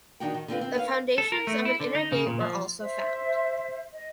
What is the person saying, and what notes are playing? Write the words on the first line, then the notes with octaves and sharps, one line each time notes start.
The foundations of an inner gate were also found.
D#3 D4 D#4 F#4 F#5 G5
D#3
D3 C4 F4 B4
C4
B4 C#5 D#5 F5
A4
A#4
A3
E4
D3
D#4
C#3
A#2
F3
C5 E5
D#5